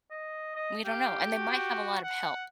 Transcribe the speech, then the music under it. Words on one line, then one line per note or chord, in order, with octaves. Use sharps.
We don't know, and they might have a lot of help
D#5
D#5
G4 F5
F#4
F#5